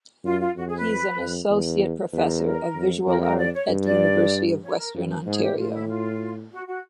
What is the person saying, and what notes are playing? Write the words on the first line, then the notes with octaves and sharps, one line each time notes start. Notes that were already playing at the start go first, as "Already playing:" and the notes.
He is an associate professor of visual art at the University of Western Ontario.
F#2 F4
F4
F2 F#4
G#4
B4
F2
E2
E2 B4
A#4
A#4
A#4
F2
F2 A#4
A#4
D5
C#5
G2
D5
C#5
A#4
F#2
G#2 G#4
G4
A2 F4
E4
F4
F#4
F#4